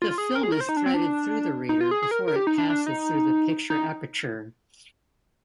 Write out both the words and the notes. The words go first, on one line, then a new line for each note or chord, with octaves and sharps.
The film is threaded through the reader before it passes through the picture aperture.
F4
G#4
A#4
G#4
A#4
C5
D#4
D4
C4
D4
D#4
F4
G#4
G#4
A#4
A#4
G4
D#4
D4
D4
D#4
D#4